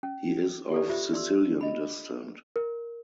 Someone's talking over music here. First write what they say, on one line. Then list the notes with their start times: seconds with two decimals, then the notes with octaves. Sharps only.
He is of Sicilian descent.
0.03 C#4
0.72 G4 A4 D5
0.89 F4 G4 C5 E5
1.13 D5 C6 E6
1.61 D#5 B5
2.56 A#4